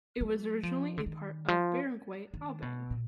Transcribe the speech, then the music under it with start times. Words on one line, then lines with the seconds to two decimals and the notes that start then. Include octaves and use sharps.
It was originally a part of Barangay Alabang.
0.21 F#3
0.63 F3
0.98 D3
1.06 D#3
1.48 F3
2.34 D#3
2.62 B2
2.91 A#2